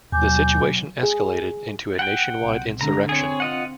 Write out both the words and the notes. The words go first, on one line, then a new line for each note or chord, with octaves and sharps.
The situation escalated into a nationwide insurrection.
D#2 B2 F#3 G#5 D6 G6
G#4
F#5 G5
B1 C3
D3 G#3 A#5
C4 G#4 C#5
F4 D#5 F#5